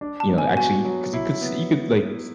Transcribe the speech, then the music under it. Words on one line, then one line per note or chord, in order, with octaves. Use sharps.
you know, actually 'cause you could s you could, like, s
D4
A5
B3
G#5
F#4 G#5
F#3
E4
B3